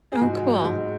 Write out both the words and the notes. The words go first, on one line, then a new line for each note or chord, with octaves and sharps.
Oh, cool.
G#4
G#2 F#4
F#3
G#2